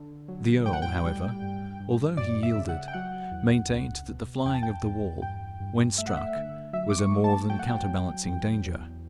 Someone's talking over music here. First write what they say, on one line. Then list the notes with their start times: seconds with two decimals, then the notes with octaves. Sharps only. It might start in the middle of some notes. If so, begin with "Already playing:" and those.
The earl, however, although he yielded, maintained that the flying of the wall when struck was a more than counterbalancing danger.
Already playing: D3
0.28 F#3
0.66 A2 G5
0.73 F#5
0.82 G5
1.05 G3
1.42 G2
1.80 G2
2.17 F#2 D5
2.43 E5
2.56 C#3
2.69 F#5
2.88 G5
2.93 F#3 F#5
3.31 E2
3.69 C#2
4.08 B2
4.45 E2 G5
4.54 A5
4.63 G5
4.83 E2
5.22 G2 G5
5.60 G2
5.98 A3 E5
6.07 F#5
6.17 E5
6.36 D3
6.73 F#3 E5
6.90 D6
6.99 C#6
7.11 A3
7.24 A5
7.50 F#3 G5
7.59 F#5
7.68 G5
7.88 F#3
8.26 E2
8.64 E2